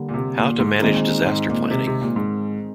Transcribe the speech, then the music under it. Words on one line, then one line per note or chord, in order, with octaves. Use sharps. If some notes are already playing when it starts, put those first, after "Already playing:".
How to manage disaster planning?
Already playing: D3 G3 A#3
A#2
C3
A#2
G#2
A#2 D#3 G#3 C4 D#4
G#2
A#2
C3
C3
A#2
G#2